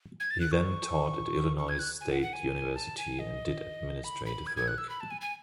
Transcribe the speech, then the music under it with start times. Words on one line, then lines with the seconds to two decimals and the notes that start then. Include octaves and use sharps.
He then taught at Illinois State University and did administrative work.
0.20 G#6
0.31 A6
0.40 F#6
0.51 C#6
1.58 C#6
1.69 G#6
1.79 F#6
2.01 G#5
2.11 F#5
2.22 F#5
2.33 G#5
2.76 A5
2.98 G#5
3.19 D#5
4.04 B5
4.26 B5
4.47 G#6
4.57 G#6
4.68 F#6
4.78 E6
4.89 B5
5.00 A5
5.11 G#5
5.21 G#5